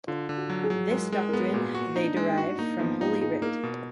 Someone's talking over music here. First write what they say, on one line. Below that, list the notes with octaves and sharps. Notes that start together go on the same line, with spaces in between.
This doctrine they derived from Holy Writ.
D3 F4
D3
F#4
F#3
G#4
F#3
G#3 A#4
G#3 A#4
A#4
B3 G#4
A#2 F#4
A#3 F#4
D#4
D4
G#3
D#4
F#4
A#3 D#4
F3 B3
D#4 F4
D#4 G#4
A#3 A#4
B2